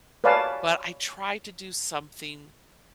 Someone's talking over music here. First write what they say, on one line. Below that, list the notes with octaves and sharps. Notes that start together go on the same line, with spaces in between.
but I try to do something
B4 C#5 D5 F5 G#5 A5